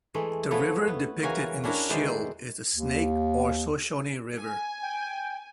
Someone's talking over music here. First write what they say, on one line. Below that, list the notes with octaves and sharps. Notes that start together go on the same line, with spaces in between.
The river depicted in the shield is the Snake or Shoshone River.
E3 G#3 A3
F3 A3 B3 E4 A4 C#5
B3
C#3 E3 F#4 A#4 G#5
C#4 D4 E4 F#4 A#4
B2 D#3 G#3 E4 C5 D5
D#2
G#5
G5